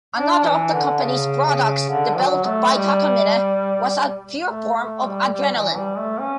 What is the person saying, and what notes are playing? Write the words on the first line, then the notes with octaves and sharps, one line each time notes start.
Another of the company's products developed by Takamine was a pure form of adrenaline.
D4
E3
D3
C#3
C#3
D3
F#3
A3
G3
A3
A3
G3
G3
E3
G3
A3
C#4